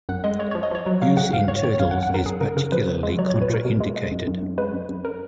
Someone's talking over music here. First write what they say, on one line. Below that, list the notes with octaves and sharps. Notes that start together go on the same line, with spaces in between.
Use in turtles is particularly contraindicated.
F#2 F#5
G#3 D#5
G#3 C#5
C#5
F3
D#5
F3 C#5
F#3
F#3 F5
C#3 F#5
G#2 F5
G#2 C#5
D#3 C#5
F#2 F5
F#5
F#2
F#5
F#2 A#4
F#2 G#4
C#3 A#4
C#3 A#4
F3 B4
F3
G#3
F#3 C#5
C#5
A#2
B4
A#2 A#4
B2
G#3
G#3
F#2
F#2
F#2
G#3 B4
F#2
F#2
A#4